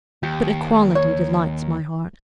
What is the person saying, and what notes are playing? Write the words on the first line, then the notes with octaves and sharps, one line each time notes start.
But equality delights my heart.
D#2 G4
C#5